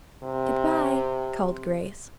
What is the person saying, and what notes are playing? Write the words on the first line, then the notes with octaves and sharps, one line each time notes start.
"Good-bye," called Grace.
C3